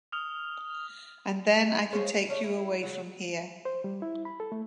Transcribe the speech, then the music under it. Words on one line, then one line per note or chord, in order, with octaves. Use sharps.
And then I can take you away from here.
D#6 F6 F7
G#4 C5 C#5 F5
E3
A3 C#4 D4
E4
C#3 F#3
C5
G3
E4
B5
A4
A3